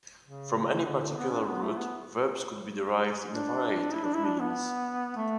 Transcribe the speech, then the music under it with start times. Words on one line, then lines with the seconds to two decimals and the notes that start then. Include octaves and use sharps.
From any particular root, verbs could be derived in a variety of means.
0.23 C#3
0.85 D3
1.16 B3
1.31 D4
1.46 B3
1.62 A3
1.77 B3
3.31 D4
3.93 E4
4.03 D4
4.14 E4
4.24 D4
4.39 B3
5.17 A3